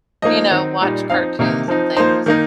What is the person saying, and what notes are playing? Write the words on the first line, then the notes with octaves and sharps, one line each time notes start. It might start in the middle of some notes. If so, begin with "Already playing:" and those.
you know, watch cartoons and things,
F3 A#3 D#4 D#5
D#3 C4 D#4
A#2 G3 D#4
F3 C4 D#4 F5
C3 D#3 A#3 D#4
F3 C4 D#4
F3 A#3 D#4 C5
D#3 A#3 D#4